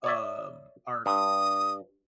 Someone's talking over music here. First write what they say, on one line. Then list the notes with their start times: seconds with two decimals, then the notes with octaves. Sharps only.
um, our
0.04 C#5 D5 E5
1.06 G2 D#6